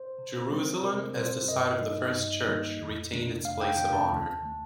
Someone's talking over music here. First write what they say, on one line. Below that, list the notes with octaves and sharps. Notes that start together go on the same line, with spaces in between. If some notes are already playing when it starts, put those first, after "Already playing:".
Jerusalem, as the site of the first Church, retained its place of honor.
Already playing: C5
C3
G3 C4
C3 A#4
G3 C4 C5
G2 D#5
D#3 G3 A#3 D#4
G2
D#3 G3 A#3 D#4
F2
C3 D#3 A3 D4
F2 F5
G5
C3 D#3 A3 D4 G5
A5
D#2
D#3 A3